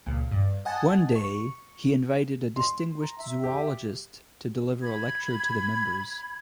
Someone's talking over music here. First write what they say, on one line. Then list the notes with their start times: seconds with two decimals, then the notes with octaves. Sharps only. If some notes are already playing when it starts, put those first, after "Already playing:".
One day he invited a distinguished zoologist to deliver a lecture to the members.
0.06 C#2 A#2
0.31 G2
0.65 D#5 F#5 G#5 A5
1.16 C#6
2.56 C6
3.01 A#5
3.18 E5
3.44 G4
4.82 B5 G#6